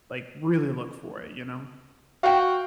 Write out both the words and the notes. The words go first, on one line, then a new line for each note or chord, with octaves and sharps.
like, really look for it, you know?
F#4 F5 G5